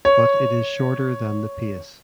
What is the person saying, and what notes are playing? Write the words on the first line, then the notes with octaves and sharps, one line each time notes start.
But it is shorter than the pace.
C#5